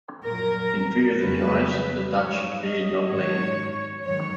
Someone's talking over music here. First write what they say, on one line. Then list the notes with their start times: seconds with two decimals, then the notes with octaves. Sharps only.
In fear of the giants, the Dutch dared not land.
0.24 A#2 F#3 A#4
1.19 F2 C#3 F#3 B4
2.14 G#2 F#3 C#5
2.62 D#5
3.09 G#2 D#3 F#3 C#5
4.04 G#2 D#3 F#3 C#5